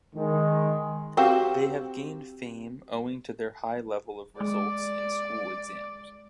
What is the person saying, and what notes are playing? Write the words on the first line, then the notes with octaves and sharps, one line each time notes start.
They have gained fame owing to their high level of results in school exams.
D#3 G#3
C4 F#4 G4 F5
G#3 D5